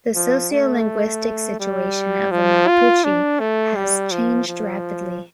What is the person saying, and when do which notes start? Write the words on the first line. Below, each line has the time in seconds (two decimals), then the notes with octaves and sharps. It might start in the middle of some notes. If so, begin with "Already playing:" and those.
The sociolinguistic situation of the Mapuche has changed rapidly.
0.15 F3
0.52 A3
1.59 G3
2.31 F3
2.67 F4
3.04 D4
3.40 A3
3.76 G3
4.11 F3
4.47 F3